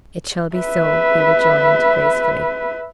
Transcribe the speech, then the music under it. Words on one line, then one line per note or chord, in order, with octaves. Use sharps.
"It shall be so," he rejoined, gracefully.
B4 E5